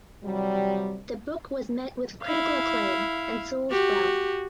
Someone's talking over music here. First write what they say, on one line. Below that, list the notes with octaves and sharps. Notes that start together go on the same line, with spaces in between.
The book was met with critical acclaim and sold well.
C3 E3 F#3 G3
E4 F5
F#4 G4